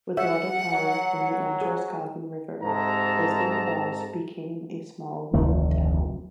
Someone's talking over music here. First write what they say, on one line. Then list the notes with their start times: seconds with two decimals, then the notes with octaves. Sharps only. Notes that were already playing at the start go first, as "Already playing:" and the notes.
With water power from the Androscoggin River, Lisbon Falls became a small mill town.
0.17 G#4 C#5 E5 F#5
0.74 F#3
1.61 G#4
2.64 G#2 C3 A4 A5 A#5
5.33 F1 D2 D#3 A3